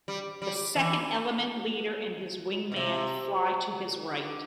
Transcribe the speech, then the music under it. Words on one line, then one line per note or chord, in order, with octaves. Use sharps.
The second element leader and his wingman fly to his right.
G3
G3
E3
B2
C3
D3